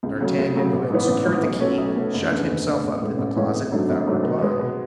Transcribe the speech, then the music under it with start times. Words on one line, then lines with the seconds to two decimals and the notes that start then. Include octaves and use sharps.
D'Artagnan, who had secured the key, shut himself up in the closet without reply.
0.03 C#2
0.20 C#3 F#3 A3 C#4
0.38 C#2
0.55 C#3 F#3 A3 C#4
0.72 A1
0.90 G#2 E3 B3
1.08 A1
1.26 G#2 E3 B3
1.43 B1
1.60 B2 A3 C#4
1.78 B1
1.96 B2 A3 C#4
2.14 F#1
2.31 E2 D3 A3
2.49 F#1
2.66 E2 D3 A3
2.83 A1
3.02 A2 E3 G#3 C#4
3.18 A1
3.36 A2 E3 G#3 C#4
3.54 G#1
3.71 G#2 F#3 A3 D4
3.89 G#1
4.06 G#2 F#3 A3 D4
4.23 B2
4.42 G#3 B3
4.59 B2